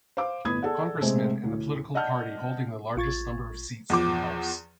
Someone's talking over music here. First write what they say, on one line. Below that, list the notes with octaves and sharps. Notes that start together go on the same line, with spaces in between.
Congressmen in the political party holding the largest number of seats in the House.
C5 F5 D6
G1 A2 B3 B5 D#6 G#6
G#4 A4 D5 F#5
C3 G#3 A3 C4
D2 A2
D5 D#5 F#5 A5 F6 G6
A1 F4 C#6 G#6 A6
E2 F3 D6